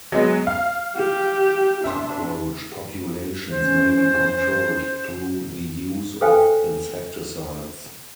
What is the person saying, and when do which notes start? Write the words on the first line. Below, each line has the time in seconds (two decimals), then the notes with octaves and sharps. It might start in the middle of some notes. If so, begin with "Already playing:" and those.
Cockroach populations may be controlled through the use of insecticides.
0.12 F#3 G#3 B3
0.47 F5
0.96 G4
1.84 D4 E5 C6
3.50 E3 C#4 C5
6.21 A4 B4 C5 F5 G5 G#5